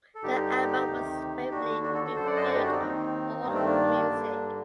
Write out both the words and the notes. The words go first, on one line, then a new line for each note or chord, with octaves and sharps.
The album was favorably reviewed on Allmusic.
A4
G2 D3 D#4 G4
D2 C3 D#3
D#2 D3 D4 F#4
D4 F#4
F#4 A4
F#4 A4
F#2 D3 A4 C5
D5 F#5
C5 D#5
D5 F#5
D#4 G4
D4 F#4
C4 D#4
D#2 D#3
G2 D#3 A#3
A3 C4
A#3 D4
G2 D3